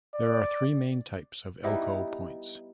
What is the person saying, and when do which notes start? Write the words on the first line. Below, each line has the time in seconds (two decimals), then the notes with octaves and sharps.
There are three main types of Elko points.
0.14 D5
1.64 G3 B3 D#4 E4